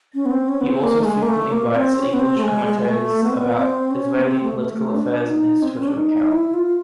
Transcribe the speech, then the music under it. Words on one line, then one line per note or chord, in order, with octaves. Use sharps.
He also frequently writes English commentaries about Israeli political affairs in his Twitter account.
C#4
B3
C4
C#4
B3
C4
A#3
A3
G#3
A#3
A3
A#3
C4
C#4
B3
C4
A3
G#3
G#3
G#3
A3
B3
C4
B3
C4
C#4
B3
C4
A3
A3
A3
D4
D#4
C4
C4
C#4
D4
D#4
D#4
E4
F4